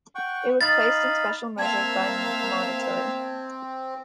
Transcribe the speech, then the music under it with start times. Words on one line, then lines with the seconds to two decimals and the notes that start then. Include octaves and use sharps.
It was placed in special measures by Monitor.
0.15 F#5 G5 C#6
0.61 D#4 F5 B5 A6
1.58 A#3 C4 E5 F5 A5 G#6